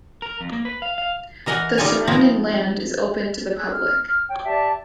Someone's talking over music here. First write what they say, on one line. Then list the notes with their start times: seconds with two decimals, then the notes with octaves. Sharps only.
The surrounding land is open to the public.
0.22 A#4
0.41 F2
0.52 A#3
0.65 B4
0.82 F5
0.98 F5
1.46 E3 A#4 D#5 F#5 G#5
1.78 G3 D#4 F4 A4 G#5
2.07 F3 C4 D#4 E4
3.58 G#4 E6 F#6 G#6
3.73 F6
4.28 C#5 G5
4.45 G4 D5 E5 A5